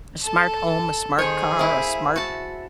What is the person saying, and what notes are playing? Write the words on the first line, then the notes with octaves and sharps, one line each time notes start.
A smart home, a smart car, a smart
A4 A5
D#3 G#4 C5 C#5
A#3 E4 C5 E5
F#4 A5